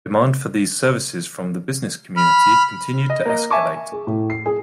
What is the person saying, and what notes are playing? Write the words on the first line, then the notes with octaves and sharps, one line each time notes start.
Demand for these services from the business community continued to escalate.
B5 F6
D#5
A#3 D#5
E5 G#5 A5 C#6 D6
G#4
A2
C7
G#4